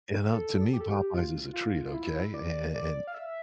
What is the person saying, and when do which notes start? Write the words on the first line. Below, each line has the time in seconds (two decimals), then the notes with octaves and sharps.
You know, to me, Popeyes is a treat, okay? And and and
0.33 A4
0.73 G4
0.81 A4
0.88 G4
1.14 F4
1.53 F4
1.87 F4
1.94 E4
2.34 D5
2.74 D5
3.07 F5
3.14 E5